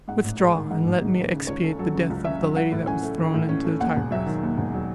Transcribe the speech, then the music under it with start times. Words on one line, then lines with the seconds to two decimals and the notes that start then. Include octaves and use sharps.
Withdraw, and let me expiate the death of the lady that was thrown into the Tigris.
0.08 G#2 F#5
0.24 A1
0.40 G#3
0.55 D#3
0.70 G#2 F#5
0.86 A1
1.02 G#3
1.17 D#3
1.32 C#3
1.47 C#2 C#5
1.63 C#4 A4
1.79 F#3 A4
1.95 C#3
2.10 C#2
2.25 C#4 E5
2.40 F#3
2.56 E3 F#5
2.72 A2
2.87 C#4 G#5
3.03 A3
3.18 E3
3.34 A2
3.49 C#4
3.65 A3
3.80 D#2 F#5
3.96 E1
4.11 F#3 E5
4.26 D#3
4.43 D#2
4.58 E1
4.74 F#3